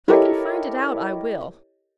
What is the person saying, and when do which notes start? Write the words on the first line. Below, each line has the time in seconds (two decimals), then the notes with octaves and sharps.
'If I can find it out, I will.
0.08 E4 G4 A4 A#4 C#5 D#5